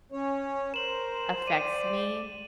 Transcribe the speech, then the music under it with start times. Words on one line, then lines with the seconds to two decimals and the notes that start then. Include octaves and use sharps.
affects me,
0.12 C#4 C#5
0.74 A#4 C5 E7 F#7
1.47 D5 D#7